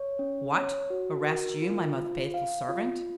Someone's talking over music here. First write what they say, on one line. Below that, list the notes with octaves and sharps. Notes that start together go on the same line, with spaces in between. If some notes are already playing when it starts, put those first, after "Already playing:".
"What! arrest you, my most faithful servant?"
Already playing: C#5
C#4
C#5
F#4
A#4
F4
F4
F5
F4